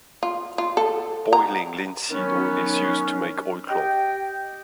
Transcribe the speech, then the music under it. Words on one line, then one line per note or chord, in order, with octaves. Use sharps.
Boiling linseed oil is used to make oilcloth.
F4
F4
A4
A#5
D#3 F#3 B3 C#4
G4 D#5 G5